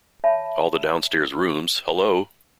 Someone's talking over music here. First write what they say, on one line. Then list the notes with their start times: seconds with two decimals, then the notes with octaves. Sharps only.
All the downstairs rooms — Hullo!
0.24 C#5 E5 A5 B5